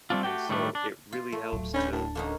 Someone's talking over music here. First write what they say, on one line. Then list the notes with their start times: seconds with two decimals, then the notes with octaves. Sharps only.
and so it really helps to
0.10 G3 A3 C4 D4 F4
0.23 A3 F#4 G4 G5
0.49 A2 D#3 G3 A3 D4
0.75 D4
1.12 F4
1.32 A3
1.52 D1 F#3
1.74 C#4 D4 B5 G6
1.92 A2 D4 A5
2.15 D3 A#3 C#4 D#4